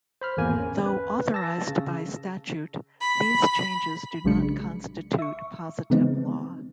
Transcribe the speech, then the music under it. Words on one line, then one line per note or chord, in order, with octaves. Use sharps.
Though authorized by statute, these changes do not constitute positive law.
C5 B5 F6
G#1 E2 A#3 G#5
C#4
B4
A5 E6 A#6
C#3
B5
A#1 C#3 F#3 G#3 D4 C#7
E5 C#6
C#3 E3 G#3 B3 C4 D#4